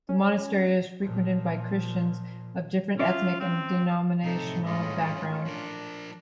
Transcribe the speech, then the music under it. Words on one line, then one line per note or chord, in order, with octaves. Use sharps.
The monastery is frequented by Christians of different ethnic and denominational backgrounds.
C#4
A#2 F3
C#4 F4 D5 E5
C4
A2 C3 D#4 A4
G2 G#3 C#4 F4 D#5
F3 D4 A#4